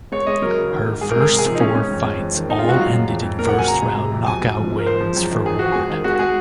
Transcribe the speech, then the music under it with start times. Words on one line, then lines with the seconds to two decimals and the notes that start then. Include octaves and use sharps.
Her first four fights all ended in first round knockout wins for Ward.
0.12 G#3 C#5
0.27 G#3 D#5
0.42 F#3 A#4
0.57 C#3
0.71 D#3
0.87 G#2
1.01 G#2 G#4
1.11 A#4
1.16 G#3 G#4
1.30 C3 A#4
1.39 G#4
1.46 F3
1.55 D#4
1.60 G#2 C#4
1.75 G#2 C#4
1.91 F2
2.05 G#3
2.19 F2
2.35 D#3
2.49 G#3 D#4
2.59 F4
2.64 G#3
2.69 F#4
2.78 F#2 F5
2.94 F#2
3.09 F2
3.23 F2
3.39 A#2 A#4
3.48 F#5
3.54 F#3
3.59 G#5
3.68 C#3 A#5
3.82 G#3
3.97 C3
4.12 F2
4.27 F#3 G#5
4.42 G#2
4.57 F3
4.72 G#3
4.78 A#4
4.86 F3 C5
5.01 F3
5.16 F#2
5.31 D#3
5.46 F2 G#4
5.59 F2 F#4
5.72 G#3 G#4
5.90 D#3
6.04 G#3 F#4
6.15 F#4
6.19 G#3 G#4